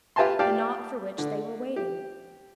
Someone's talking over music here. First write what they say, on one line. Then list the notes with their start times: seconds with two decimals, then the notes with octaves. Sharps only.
The knock for which they were waiting!
0.16 F4 G4 B4 G#5 A5 C6
0.39 G4 D5 F5 G5 A5
1.18 D3
1.76 G4